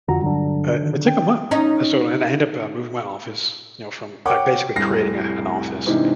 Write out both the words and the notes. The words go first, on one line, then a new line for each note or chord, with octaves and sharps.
uh, it took a month, so and I end I end up moving my office, you know, from, like, basically creating a an office,
F2 D3 F4 F#4 A#5
G2 D3 F#3 G3 D4
D#3
D#3 C#4 G5
C#4 D#4
A#4 C#5 F#5 G5 D6
F1 C2 A2 A#6 C7
G#2 C3 E3 D4 D#4